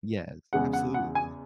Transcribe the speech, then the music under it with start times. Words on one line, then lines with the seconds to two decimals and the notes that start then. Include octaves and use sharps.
Yes. Absolutely.
0.53 E2 C#3 G#3 F#5
0.73 F#5
0.94 F#5
1.15 G#5